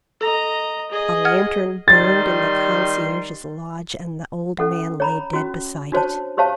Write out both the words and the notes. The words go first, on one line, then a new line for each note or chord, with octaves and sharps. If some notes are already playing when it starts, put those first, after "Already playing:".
A lantern burned in the concierge's lodge and the old man lay dead beside it.
A4 D#5 A#5
G#4 D#5
F#5 F6 G#6
D#3 G3 C6 A6
C#4 A4 F#5
C#5 A#5 B5
C#4 F#4
D4 F#4 C5 C#5 A5
G4 C5 C#5 F5 A5